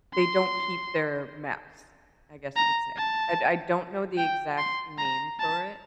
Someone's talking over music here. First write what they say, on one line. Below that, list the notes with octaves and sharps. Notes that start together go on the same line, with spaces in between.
they don't keep their mass, I guess you could say. I I don't know the exact name for it
C6
A#5
A5
G5
C6
A#5
A5